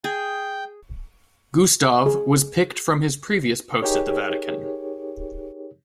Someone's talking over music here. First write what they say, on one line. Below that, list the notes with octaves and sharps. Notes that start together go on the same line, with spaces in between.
Gustav was picked from his previous post at the Vatican.
G#4 G5
G#4
D#4 G4 G#4 A#4 C#5